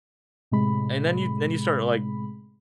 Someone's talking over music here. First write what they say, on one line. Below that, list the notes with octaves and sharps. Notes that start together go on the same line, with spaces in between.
And then you then you start, like,
A2 C3 G#3 B5